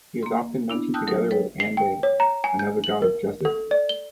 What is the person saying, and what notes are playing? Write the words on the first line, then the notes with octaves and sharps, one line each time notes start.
He is often mentioned together with Anbay, another god of justice.
A#3 C6
B3 D4 E4
G5 A5 D#6 E6 F#6 G6
F#3 A#4 D#6
A4 B4 C#5 G5
C7
G5
C#5
A#5
G#5
G6
F#7
A#4
A4
D5
G7